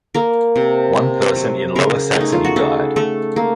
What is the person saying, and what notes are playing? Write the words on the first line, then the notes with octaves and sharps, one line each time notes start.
One person in Lower Saxony died.
A#3 A#4
C3
C3
F#3
C#3 A#4
A3
D#4
F4
F#4
C#3 A4
A3 A4
A#3